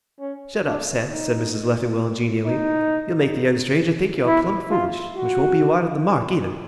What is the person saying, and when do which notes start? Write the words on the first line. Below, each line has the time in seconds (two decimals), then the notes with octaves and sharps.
"Shut up, Seth," said Mrs. Leffingwell, genially, "you'll make the young stranger think you're plum' foolish, which won't be wide of the mark either."
0.20 C#4
0.65 D4
1.10 D#4
2.46 D#4
4.26 E4
4.71 F4
5.17 F#4